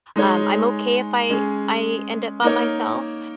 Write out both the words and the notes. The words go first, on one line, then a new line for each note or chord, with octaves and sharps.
Um, I'm okay if I I end up by myself,
G#3 D#4 G#4 C#5
G#3 C#4 G#4
A#3 D#4 A#4 C#5